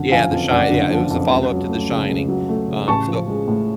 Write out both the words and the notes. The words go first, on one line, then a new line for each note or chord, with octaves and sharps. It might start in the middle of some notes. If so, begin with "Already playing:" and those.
Yeah, The Shine yeah, it was a follow-up to The Shining, um, so
Already playing: F#1 D3 F#5
F3 F5 G#5
F2
F#1 D5 F#5
D3
F3
F2
C#2
F#3
A3
C#3
C#2
F#3
A3
C#3
A1 A5 C#6
F3
G#3
A2